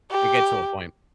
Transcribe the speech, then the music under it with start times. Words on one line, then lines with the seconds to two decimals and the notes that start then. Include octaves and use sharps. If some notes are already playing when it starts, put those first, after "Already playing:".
It gets to a point.
0.11 G4